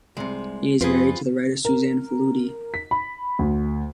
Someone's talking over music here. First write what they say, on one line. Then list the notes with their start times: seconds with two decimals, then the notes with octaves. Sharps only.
He is married to the writer Susan Faludi.
0.17 C2 C3 G#3
0.81 F2 C4 F4 G#4 B4
1.65 A#4
2.74 B6
2.91 B5
3.39 D2